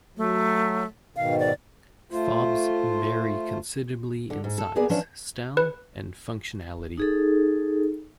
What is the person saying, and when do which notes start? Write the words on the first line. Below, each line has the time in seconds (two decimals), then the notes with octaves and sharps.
Fobs vary considerably in size, style and functionality.
0.17 F#3 A3
1.16 G#2 B2 D#3 F5
1.39 D5
2.11 A3 F4 C5
4.30 D3
4.44 G#2
4.58 A4
4.76 A#3 B3 G#4 D5
4.89 E3 F3 C#4 D4
5.57 B4
6.97 D#4 G#4 A4